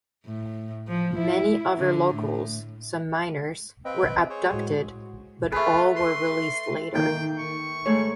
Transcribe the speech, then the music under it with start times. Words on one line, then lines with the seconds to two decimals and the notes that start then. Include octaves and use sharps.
Many other locals, some minors, were abducted, but all were released later.
0.25 A2
0.88 F3
1.17 E4
1.78 D3
2.14 A2
3.85 C4 B4 D#5 F5 G5
4.30 G#4 C5 C#5
4.53 A2 G#3 F#4
5.52 A3 F4 G#4 B4
5.96 C6
6.94 D#3 A#3 D#4 G5
7.39 C#6
7.86 G#2 A3 G#4 C#5